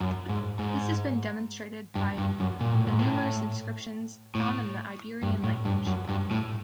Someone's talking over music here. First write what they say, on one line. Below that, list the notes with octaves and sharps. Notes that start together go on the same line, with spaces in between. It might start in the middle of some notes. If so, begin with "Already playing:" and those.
This has been demonstrated by the numerous inscriptions found in the Iberian language.
F#2
G#2
G#2
G2
G2
F#2
A#2
A2
G#2
A2
A2
G2
A2
G2
F#2
G2
A2